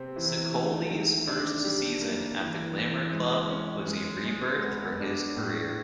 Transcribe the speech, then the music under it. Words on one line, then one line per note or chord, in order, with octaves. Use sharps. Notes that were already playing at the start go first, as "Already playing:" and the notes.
Ceccoli's first season at the glamour club was a rebirth for his career.
Already playing: C3 C4
E3
A3
D#3
D4
G3
A#3
E3
E3
G#3
C#4
G#3
G#3
B3
D4
A2